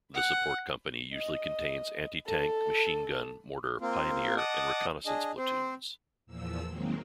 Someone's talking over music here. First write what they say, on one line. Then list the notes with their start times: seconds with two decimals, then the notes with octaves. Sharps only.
The support company usually contains anti-tank, machine gun, mortar, pioneer and reconnaissance platoons.
0.14 F#5
1.14 D#5
2.26 A4
3.81 A#3 C4 F4
4.37 D#5 F#5 A5 D6 D#6
5.06 D4 G#4 D#5
5.37 C4 C5
6.26 E2 A#2 F3 E6
6.66 D#3 F#3 G#3 A#3 C4